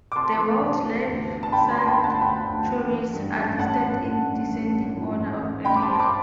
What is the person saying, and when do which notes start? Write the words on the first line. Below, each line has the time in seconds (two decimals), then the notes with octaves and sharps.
The wildlife sanctuaries are listed in descending order of area.
0.12 D6
0.16 C3 A5 C6
0.38 E3
0.61 C3
0.83 E3
1.07 D2
1.30 B3
1.43 A5
1.52 D2 G5 B5
1.70 A5 C6
1.76 B3
1.82 A5
1.87 G5 B5
1.98 D2
2.04 F#5 A5
2.22 D2 G5 B5
2.45 D2
2.67 E3
2.91 E3
3.13 G2
3.36 A1
3.59 A1 F#5 A5
3.82 A1
4.04 A1
4.28 A1
4.50 A1
4.73 G2
4.97 A1
5.20 A1
5.43 A1
5.64 G2 G5 B5
5.76 D6
5.82 A5 C6
5.88 C4
6.00 B5 D6